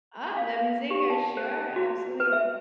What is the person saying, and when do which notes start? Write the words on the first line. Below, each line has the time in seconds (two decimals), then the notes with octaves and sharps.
Ah, lemon zinger, sure, absolutely.
0.37 F5
0.91 G4
1.10 A5
1.37 C5
1.76 F#4
2.20 B4
2.32 E5